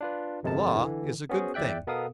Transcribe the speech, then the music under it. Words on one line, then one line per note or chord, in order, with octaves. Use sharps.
The Law is a good thing.
D4 F4 B4
G1 F2 C3 G#3 A#4 A5
D3 E3
B3 C#4 F#4 G#4 C5
E2 D5 E5 G5 F#6
B2 B3 A4 A#4 F5 D#6